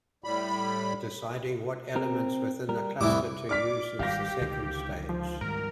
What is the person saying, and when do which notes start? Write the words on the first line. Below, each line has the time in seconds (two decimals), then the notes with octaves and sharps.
Deciding what elements within the cluster to use is the second stage.
0.24 A2 G3 B5
1.96 C4 A#4
2.69 G3 A#4
3.01 C2 A2 E3 G3 D6
3.49 D5 D6 F6 B6
3.99 G#1 B2 G3 G4 F5 A#6
4.41 C#2 D3 D#3
5.09 F3
5.41 G#2 D#3 G3 A#4